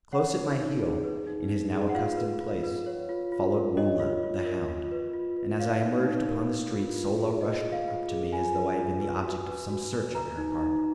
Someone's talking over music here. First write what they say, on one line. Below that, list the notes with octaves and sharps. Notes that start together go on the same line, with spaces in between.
Close at my heel, in his now accustomed place, followed Woola, the hound, and as I emerged upon the street Sola rushed up to me as though I had been the object of some search on her part.
C#5 F#5
D#4
D#4
G#4
B4
D#4
D#4
G#4
F#5
F4 F5
B4
F4
B4
C#5
F4
F4
A#4
C#5 D#5
F4
F4
A#4
F4
B4
F4
B4
C#5 F5
D#4
D#4
A#4
B4
F4
F4
G#4
B4 D#5
F4
F5
F4
G#4
F4 G#5
B4
F4
B4
F#4
B4
F#4
B4
B4 A#5
D#4
D#4